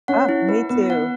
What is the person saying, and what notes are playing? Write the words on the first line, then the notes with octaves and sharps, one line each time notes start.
Uh, me too.
C#4 F#5
E4
B4
B3 B4
F#5